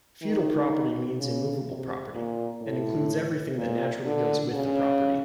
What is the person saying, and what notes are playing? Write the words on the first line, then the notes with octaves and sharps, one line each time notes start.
Feudal property means immovable property, and includes everything that naturally goes with the property.
D#3
C#3
C3
A#2
A2
A#2
D3
C#3